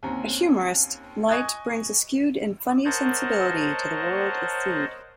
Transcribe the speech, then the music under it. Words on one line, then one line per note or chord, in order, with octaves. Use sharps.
A humorist, Leite brings a skewed and funny sensibility to the world of food.
D#2 C4 C#4 A#5
D#5 G#5 C#6 D#6 F#6 G#6
A#4 C5 C#5 D#5 F#5 A5